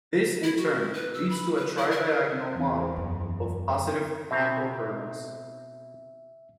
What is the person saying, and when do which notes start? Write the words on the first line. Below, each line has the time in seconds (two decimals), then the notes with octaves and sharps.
This in turn leads to a "tridiagonal model" of positive Hankel kernels.
0.43 E4
0.57 F#4
0.93 B4
1.14 E6
1.30 B5
1.57 B4
1.77 E4
1.91 A#4
2.54 E2
2.96 F#2
4.31 B2 C4 E5 A#5